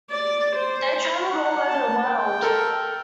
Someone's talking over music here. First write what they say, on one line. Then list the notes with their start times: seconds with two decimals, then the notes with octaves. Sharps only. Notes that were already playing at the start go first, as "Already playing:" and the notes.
They traveled all over the world.
0.10 D5
0.56 C5
1.32 F#5
1.67 A5
2.07 G5
2.42 A4 A#4